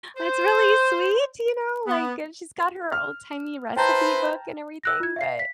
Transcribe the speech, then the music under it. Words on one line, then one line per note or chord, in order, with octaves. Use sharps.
"That's really sweet, you know, like" and she's got her old-timey recipe book and everything, but,
C5
B3
F6
E4 B4 C5 G5 A5 A#5
E6 F#6 A#6
F4 G#6
E5 F5 C7
B6